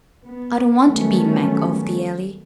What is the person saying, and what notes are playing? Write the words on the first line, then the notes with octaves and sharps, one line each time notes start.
I don't want to be Mag of the Alley.
B3
D#3 F#3 G3 A3 B3 C#4